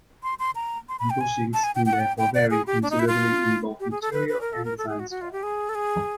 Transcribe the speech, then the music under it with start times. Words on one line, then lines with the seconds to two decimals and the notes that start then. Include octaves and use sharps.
Bushings can therefore vary considerably in both material and design style.
0.23 C6
0.39 C6
0.55 A#5
0.89 C6
0.99 B5
1.10 G5
1.21 G#5
1.53 A5
1.64 G#5
1.75 G5
1.86 G5
1.93 F#5
2.00 G5
2.18 G5
2.34 D5
2.51 G#4
2.67 G4
2.83 D4
2.91 D#4
2.99 E4
3.07 F4
3.80 G4
3.91 G#4
4.02 A4
4.13 B4
4.29 B4
4.41 A#4
4.53 A4
4.65 A#4
4.78 A4
4.89 G#4
4.99 F#4
5.10 F#4
5.21 F4
5.32 G4
5.43 G#4
5.69 A4
5.75 G#4